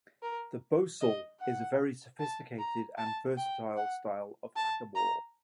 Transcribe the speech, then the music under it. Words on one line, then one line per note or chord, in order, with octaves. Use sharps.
The bosal is a very sophisticated and versatile style of hackamore.
A#4
D#5
F#5
A5
A#5
A5
G5
F#5
A5
A#5